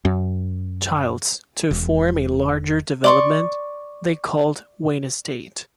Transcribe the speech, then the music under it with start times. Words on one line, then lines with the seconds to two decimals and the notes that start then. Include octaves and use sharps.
Childs, to form a larger development they called Wayne Estate.
0.05 F#2
1.71 E1
3.04 D5 C6 C#6